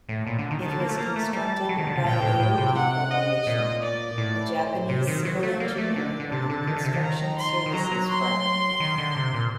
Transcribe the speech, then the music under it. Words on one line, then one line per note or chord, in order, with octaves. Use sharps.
It was constructed by Aoki Corporation, a Japanese civil engineering and construction services firm.
A2
A#2
D3
D#3
D#3 A5
D3
A#3
A3
A#3 A#5
A3
G3 A5
F#3
D#3
D3
C3
A#2 G5
A2
A2
C3
F#5
D#5
A#2
D5
A2
C5
C3
D#3
F#3
A3
A#3 D5
A3
D3
D3
C3 A5
D3
D#3
D3
C3
D#3
A#5
C6
D#3
F#3 A#5
F#3
C6
D#3
D3
C3
A#2